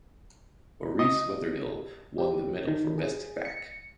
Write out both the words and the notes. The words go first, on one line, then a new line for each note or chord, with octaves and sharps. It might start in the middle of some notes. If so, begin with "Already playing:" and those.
Maurice Wetherill won the medal for best back.
D#5
G4
D#3
G#4
C#7